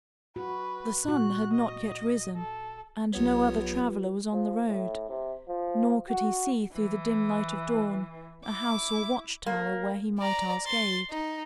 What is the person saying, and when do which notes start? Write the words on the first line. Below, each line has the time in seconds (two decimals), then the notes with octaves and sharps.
The sun had not yet risen and no other traveler was on the road, nor could he see through the dim light of dawn a house or watch-tower where he might ask aid.
0.36 F#4 B4
1.04 A#2 F#4 F#6
1.53 D#5
2.37 A4
3.13 B1 F#3 B3 F4 G4 B4 C#5
4.32 F3
4.68 A2
5.09 C3
5.48 F3
6.09 F#4
6.73 E3
8.46 E4 D6
9.46 A#3
10.19 D5 A#5
10.67 C6 A6
11.11 D#4